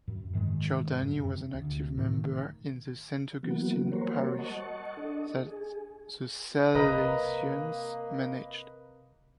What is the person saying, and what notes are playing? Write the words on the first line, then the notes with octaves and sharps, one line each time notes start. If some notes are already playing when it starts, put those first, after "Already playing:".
Giordani was an active member in the Saint Augustine parish that the Salesians managed.
F#2
G#2 D#3 F#3 G#3
F#2
C3
D2
A2 D#3
E3 F#3 A#3 B3 F#4
G3 A#3 F#4 A#4 C5 C#5
D#5 F#5 A5 C#6
D4 A4 D#5
G#4
C3 A#3 B4 D#5 A#5